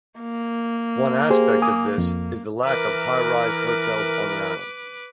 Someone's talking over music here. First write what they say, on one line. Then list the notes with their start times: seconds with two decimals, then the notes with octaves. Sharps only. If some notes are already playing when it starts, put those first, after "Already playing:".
One aspect of this is the lack of "high rise" hotels on the island.
0.20 A#3
1.30 G4 G#4 C5
1.62 G#5 D6 D#6
1.98 F2
2.65 E3 A#4 B4 D6